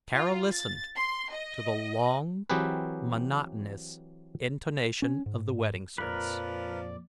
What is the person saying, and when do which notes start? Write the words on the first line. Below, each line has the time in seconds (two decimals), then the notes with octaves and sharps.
Tara listened to the long, monotonous intonation of the wedding service.
0.14 F4
0.52 A6
0.97 C6
1.32 D#5
2.50 E3 F#3 C4 G4 G#4 B4
5.02 C#4
5.26 G#2
5.98 F2 A#2 F3 A#4 B4 D5